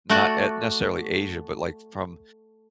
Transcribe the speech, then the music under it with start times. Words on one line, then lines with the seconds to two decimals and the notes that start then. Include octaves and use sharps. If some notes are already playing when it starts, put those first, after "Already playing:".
not e necessarily Asia, but, like, from
0.09 A3 F#4 D5